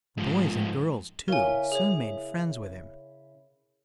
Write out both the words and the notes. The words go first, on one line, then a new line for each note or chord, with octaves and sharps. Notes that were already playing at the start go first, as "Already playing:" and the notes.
The boys and girls, too, soon made friends with him.
G#2 F3
C#3 E4 A#4 G#5
G#4 C#5